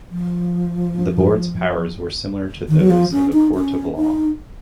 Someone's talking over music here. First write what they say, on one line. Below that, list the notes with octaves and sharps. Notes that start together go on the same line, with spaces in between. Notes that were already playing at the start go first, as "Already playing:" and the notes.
The Board's powers were similar to those of a court of law.
F3
D#3
F#3
F3
C#4
D#4
C#4
D#4